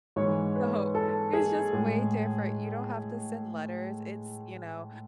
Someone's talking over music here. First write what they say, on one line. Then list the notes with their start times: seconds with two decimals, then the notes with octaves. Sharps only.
So, it's just way different. You don't have to send letters. It's, you know,
0.16 G#2 E3 G#3 C#5
0.56 B4
0.95 A4
1.33 G#4
1.73 A2 G#3